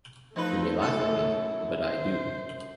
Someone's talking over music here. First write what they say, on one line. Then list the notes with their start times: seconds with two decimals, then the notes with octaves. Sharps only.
You may laugh at me, but I do.
0.36 F3 A3 D#4 E4 B4
0.79 F#2 A4
1.84 C5